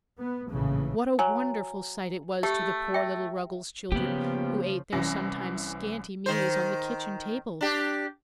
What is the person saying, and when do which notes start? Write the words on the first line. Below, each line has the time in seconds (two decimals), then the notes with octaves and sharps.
What a wonderful sight it was to the poor little Ruggles children, who ate their sometimes scanty meals on the kitchen table!
0.19 B3
0.49 A#1 A2 C#3 E3
1.19 F#3 G#5
2.43 A3 G4
2.94 E5 G5
3.92 C#3 F3 A#3 B3 G4
4.92 C2 E3 C#4 A#6
6.26 D#3 C5
7.61 D4 G4